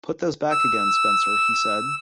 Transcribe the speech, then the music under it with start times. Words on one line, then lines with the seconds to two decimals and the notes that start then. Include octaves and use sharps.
"Put those back again, Spencer," he said.
0.51 E6